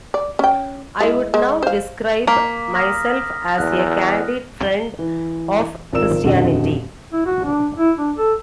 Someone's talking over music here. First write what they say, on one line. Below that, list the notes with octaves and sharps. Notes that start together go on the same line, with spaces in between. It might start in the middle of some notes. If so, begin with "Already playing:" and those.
I would now describe myself as a candid friend of Christianity.
D5
C#4 G5
G#3 E4
G#3
C5 F5
A#3 B6
D#6 F6 A#6
E2 F#6
G7
E3
G#1 F4 A#4 D5 E6 E7
D#1 F2 D3 F#4 D#5
E4
F#4
D4
E4
D4
A4